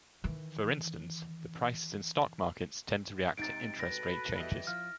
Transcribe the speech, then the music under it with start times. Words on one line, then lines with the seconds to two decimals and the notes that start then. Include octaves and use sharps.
For instance, the prices in stock markets tend to react to interest rate changes.
0.24 D#3 E3
3.37 G#2 C3 D#4 A6 D7
3.79 F#4 A4 B4 A#6
4.36 E3 G3 D#5
4.67 F3 F6